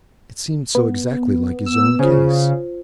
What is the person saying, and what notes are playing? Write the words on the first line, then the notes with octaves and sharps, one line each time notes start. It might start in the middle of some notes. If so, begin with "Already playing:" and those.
It seemed so exactly like his own case.
B3
E6
C#3 F4 C5